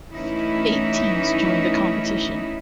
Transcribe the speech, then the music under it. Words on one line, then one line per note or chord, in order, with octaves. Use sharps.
Eight teams joined the competition.
E3 A3 C#4 D#4 E4